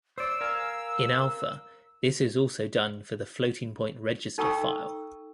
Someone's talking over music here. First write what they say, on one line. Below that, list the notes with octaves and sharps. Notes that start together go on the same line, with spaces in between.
In Alpha this is also done for the floating-point register file.
C5 D5 E6
A#4 F5 G#5
D#4 A4 G5 A#5 C#6 E6